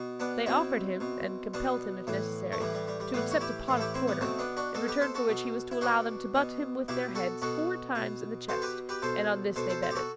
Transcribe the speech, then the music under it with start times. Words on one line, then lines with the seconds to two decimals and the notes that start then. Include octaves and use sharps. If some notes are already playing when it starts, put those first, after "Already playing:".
They offered him, and compelled him, if necessary, to accept a pot of porter, in return for which he was to allow them to butt him with their heads four times in the chest, and on this they betted.
Already playing: B2
0.20 B3 D4
0.46 B2 C4 E4
1.00 B2
1.54 B2 B3 D4
2.07 A2 E3
2.52 A3
2.60 A2 E3 G3
2.74 G3
2.88 G3
3.00 G3
3.14 A2 E3 G3 B3
3.31 F#4
3.41 E4 G4
3.68 A2 E3
3.77 A4
3.81 E4 G4
3.94 C4 E4
4.08 G3 B3
4.21 B2 A3 C4
4.39 B3 D4
4.57 D4 F#4
4.74 B2 F#4 A4
4.88 G4 B4
5.01 A4 C5
5.15 F#4 A4
5.28 B2
5.71 E4
5.81 B2 D4 F#4
6.35 B2
6.88 B2 E4 G4
7.15 F#4 A4
7.42 B2 F#4 A4
7.95 B2
8.49 B2 A4 C5
8.62 G4 B4
8.89 G4 B4
9.02 B2 A4 C5
9.56 B2 A4 C5
9.69 A4 C5
9.83 A4 C5
9.91 G4
9.96 F#4 A4